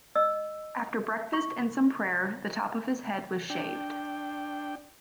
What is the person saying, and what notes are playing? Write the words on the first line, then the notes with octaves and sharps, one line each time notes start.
After breakfast and some prayer, the top of his head was shaved.
D#5 E6
C#6
D4 G5